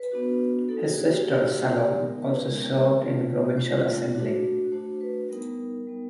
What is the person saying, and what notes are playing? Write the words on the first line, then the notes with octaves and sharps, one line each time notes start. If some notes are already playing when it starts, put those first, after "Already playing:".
His sister Salome also served in the provincial assembly.
Already playing: B4
B3 D4 F#4
A#3 D#4 F#4 A4
G#4
F#4
G#4
G4
A#3 D#4 F#4 G4
G4
G#4
G#3 B3 D#4 G4
A#4
B4
G#3 B3 D#4 A#4
A3 C4 F4
A3 C4 F4 C5
A3 D4 F#4
A3 D4 F#4 C5
B4
G3 B3 D#4 A#4
G3 B3 D#4